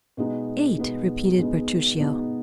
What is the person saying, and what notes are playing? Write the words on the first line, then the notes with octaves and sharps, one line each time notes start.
"Eight!" repeated Bertuccio.
B2 G#3 B3 D#4
B2 G#3 B3 D#4
B2 G#3 B3 D#4
B2 G#3 B3 D#4